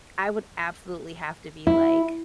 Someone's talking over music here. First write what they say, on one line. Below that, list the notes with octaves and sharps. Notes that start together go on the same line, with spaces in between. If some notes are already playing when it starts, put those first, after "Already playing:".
I would absolutely have to be, like
E4